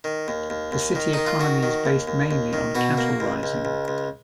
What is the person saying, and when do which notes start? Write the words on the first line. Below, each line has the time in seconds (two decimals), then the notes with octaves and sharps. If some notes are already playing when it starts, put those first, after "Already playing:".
The city economy is based mainly on cattle rising.
0.04 D#3
0.28 D#2
0.50 D#2
0.72 D#2
0.95 D#3
1.13 D#3 D#4
1.27 F4
1.40 D#3 F#4
1.63 D#3
1.85 D#2
2.08 D#2
2.31 D#2
2.53 D#3
2.75 B2 F#4
2.98 A#3
3.20 C#2
3.43 C#2
3.65 C#2
3.88 C#2